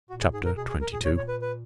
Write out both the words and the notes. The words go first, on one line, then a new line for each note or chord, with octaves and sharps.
Chapter XXII.
A#2 F#4
G#4
G#2 G#4
A#2 A#4
B2 G#4
G#4
A#2 A#4
G#4
C#5
C#5
B4
B4